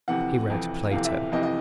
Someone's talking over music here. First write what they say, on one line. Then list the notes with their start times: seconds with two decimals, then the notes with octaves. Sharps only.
He read Plato.
0.08 F2 C3 E3 F#5
0.50 F2 C3 E3
0.91 F2 C3 E3 F5
1.05 E5
1.32 F2 C3 E3 D#5
1.43 D#5